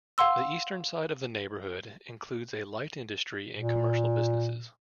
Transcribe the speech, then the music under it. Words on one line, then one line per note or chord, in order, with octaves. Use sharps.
The eastern side of the neighborhood includes a light-industry and commercial businesses.
F5 F#5 C6 E6
A#2